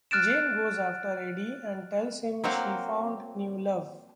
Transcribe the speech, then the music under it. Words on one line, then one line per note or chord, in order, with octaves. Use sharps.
Jane goes after Eddie and tells him she found new love.
F6 F#6 A6 D7 E7
F#3 A#3 C4 C5 F5 F#5